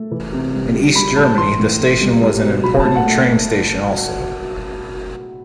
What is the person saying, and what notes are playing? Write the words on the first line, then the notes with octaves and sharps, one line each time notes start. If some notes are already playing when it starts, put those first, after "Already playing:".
In East Germany the station was an important train station also.
Already playing: A3
E3
C3
G3
G3
G3 B5
A2 A5
E3 C6
A2
A3
G3
G3
B2
F#3 B5
A5
A2
F#5
A3